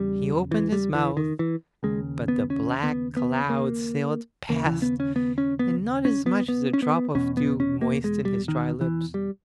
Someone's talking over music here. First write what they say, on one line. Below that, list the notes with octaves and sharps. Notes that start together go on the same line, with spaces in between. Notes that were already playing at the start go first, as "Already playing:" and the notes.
He opened his mouth, but the black cloud sailed past and not as much as a drop of dew moistened his dry lips.
Already playing: E2 C#3 G3
E3
G3
E3
D#3
E3
D#2 C#3 G#3
B3
C#4
B3
B3
A#3
D#2 C#3 A#3
E3
B3
C#4
B3
C#4
B3
C#4
B3
B3
C#4
B3
E2 B2 C#4
B3
C#4
A#3
G#3
G3
D#3
E3
G3